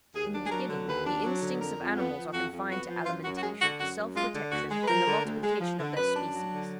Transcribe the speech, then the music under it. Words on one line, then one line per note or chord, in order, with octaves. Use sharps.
In the beginning, the instincts of animals are confined to alimentation, self-protection, and the multiplication of their species.
D#2 G#4
D4
G#4
F#3 A#4
D3
D#2 B4
D4
F#3
D3
F2 A#4
F2
B3
F3
F2 F#4
F2
B3 F#4
F3
F#2 F4
F#2 F#4
F#4
G#3 G#4
D3 F#4
F#2 F#4
F#2
G#3 F4
D3
D2 F#4
G#3
B4
F3 A#4
D3
D2
G#3
F3
D3
F#2 B4
D4
F#3
D3